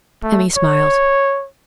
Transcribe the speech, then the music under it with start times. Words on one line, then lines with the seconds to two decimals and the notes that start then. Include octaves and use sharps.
Emmy smiled.
0.23 A3
0.57 C#5